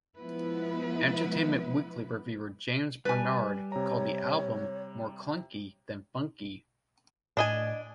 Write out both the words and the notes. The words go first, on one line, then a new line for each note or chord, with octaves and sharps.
"Entertainment Weekly" reviewer James Bernard called the album "more clunky than funky".
F3 G#3 B3 E4 B4
G3 B4 G#5 A6
C3 C#5 A#5
A2 D4 D#5 G#5